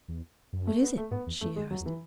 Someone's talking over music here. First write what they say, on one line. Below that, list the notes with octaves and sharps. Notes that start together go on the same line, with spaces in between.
'What is it?' she asked.
E2
F#2
A3
B3
A3
G#2 B3
E2
F#2 A3
G#2 G#3
F#2 F#3
E2
E3